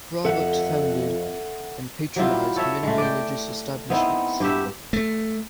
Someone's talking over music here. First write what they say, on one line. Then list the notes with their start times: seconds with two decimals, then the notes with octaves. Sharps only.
Robert founded and patronised many religious establishments.
0.25 F2 A4 E5 F#5
2.16 F#3 G3 E4 F4
2.56 A4 C#5 E5
2.83 G#3 A3
2.98 D5 G5
3.90 B3 C4 D#4 E4
4.40 G2 G4 E5
4.93 A3